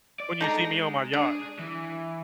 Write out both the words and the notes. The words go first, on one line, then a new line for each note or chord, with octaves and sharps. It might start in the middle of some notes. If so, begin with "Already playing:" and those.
When you see me on my yacht.
D5
G#3 D#4 A4 A#5
D4 G#4
E3